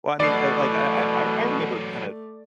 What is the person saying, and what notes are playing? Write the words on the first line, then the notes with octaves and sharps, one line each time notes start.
Well, I mean, uh, like, uh, I I I remember kinda
B2 E3 F#3 A3 D5 C7